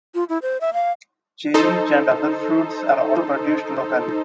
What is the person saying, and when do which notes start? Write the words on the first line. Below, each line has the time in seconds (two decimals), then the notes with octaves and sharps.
Cherries and other fruits are also produced locally.
0.15 F4
0.29 E4
0.42 C5
0.61 E5
0.73 F5
1.54 D#4 A4 C5